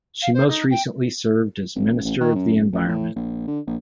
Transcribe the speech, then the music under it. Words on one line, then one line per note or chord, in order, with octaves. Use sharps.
She most recently served as Minister of the Environment.
F5
C5
D#4
G5
G#1
A1
A1
D#3
F#2
F#1
A1
A2
A#1
D3
A#1